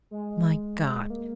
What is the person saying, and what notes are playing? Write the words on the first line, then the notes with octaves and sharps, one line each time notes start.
My God!
G#3
A#3